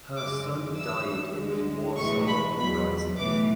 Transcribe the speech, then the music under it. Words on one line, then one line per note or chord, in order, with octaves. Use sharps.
Her son died in the Warsaw Uprising.
F#2 C#3 G#3 D6
G#1 F#2 E3 E6
D2 D3 G#3
B1 A2 E3 G#3 C#6
B5
E2 B2 F#3 B5
B1 A2 E3 D6